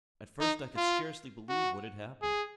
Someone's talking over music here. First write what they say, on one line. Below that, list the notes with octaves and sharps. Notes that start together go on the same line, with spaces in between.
At first I could scarcely believe what had happened.
D#4
F4
F#4
G#4